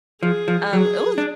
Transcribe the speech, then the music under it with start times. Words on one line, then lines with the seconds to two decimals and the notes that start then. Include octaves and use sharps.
Um, it was
0.23 F3 G#4
0.48 F3
0.73 F#3 G#4
1.18 D4